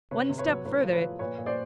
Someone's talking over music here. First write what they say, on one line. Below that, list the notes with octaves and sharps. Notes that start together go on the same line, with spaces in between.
'One step further....
C3 B4 C#5
C3
B4 C#5
F#3
A2 B4 C#5
F3
B4 C#5
F3
A#2 B4 C#5
A#2
C5 D5